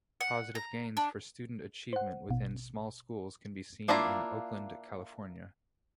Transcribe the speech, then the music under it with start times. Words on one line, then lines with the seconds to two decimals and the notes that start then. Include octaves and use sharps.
Positive gains for student achievement within small schools can be seen in Oakland California.
0.21 F#5
0.55 A#5
0.97 D4
1.93 C5 F#5
2.29 A1 B2
3.88 A#3 D4 E4 F4 A#5